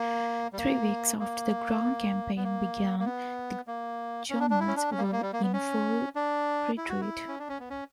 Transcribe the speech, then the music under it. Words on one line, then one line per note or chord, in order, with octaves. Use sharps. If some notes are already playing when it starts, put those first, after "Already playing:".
Three weeks after the ground campaign began, the Germans were in full retreat.
Already playing: A#3
G3
A#3
A#3
B3
A#3
A#3
B3
A#3
C#4
D4
D4
E4
C#4
D4
C#4
A#3
G3
A#3
G3
A#3
B3
C#4
D4
E4
F#4
E4
C#4
D4
C#4
B3
C#4